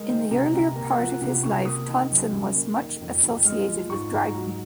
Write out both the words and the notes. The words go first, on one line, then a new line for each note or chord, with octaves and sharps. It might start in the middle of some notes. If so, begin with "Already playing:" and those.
In the earlier part of his life Tonson was much associated with Dryden.
Already playing: G#3 A#4
D#3 C5
C3 A#5
C3 A#5
A#3 A#5
F3 F#5
C3 A#5
C3 C#6
A#3 D#6
D#3
F#2
F#2
A#3
D#3
F2
F2
G#3 F6
F3
G#2 C#6
G#2 A#5
F#3